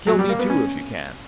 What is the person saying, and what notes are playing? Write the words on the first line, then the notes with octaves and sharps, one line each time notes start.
Kill me too, if you can.
F#3
G3
A#3
B3
C#4